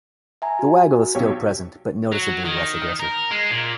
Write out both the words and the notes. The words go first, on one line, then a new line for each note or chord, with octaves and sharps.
The waggle is still present, but noticeably less aggressive.
E5 G#5 A#5
F#4
B1 G4 C#5
F#3
D#3
A#4
G#3
A#2